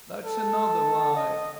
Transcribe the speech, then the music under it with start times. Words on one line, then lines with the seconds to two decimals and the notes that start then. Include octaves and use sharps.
That's another lie!
0.25 A4
1.16 D#5